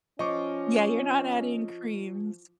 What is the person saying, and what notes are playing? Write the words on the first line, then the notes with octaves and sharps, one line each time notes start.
Yeah, you're not adding creams.
F3 C#4 D#5 C#6 D6